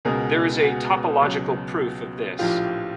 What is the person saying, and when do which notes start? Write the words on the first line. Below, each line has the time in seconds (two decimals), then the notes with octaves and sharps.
There is a topological proof of this.
0.05 C#2 B2 G#3 G#4 A#4
0.63 F#4 G#4
1.21 C#2 B2 F#3
2.39 A#1 A2 F3 F4 G4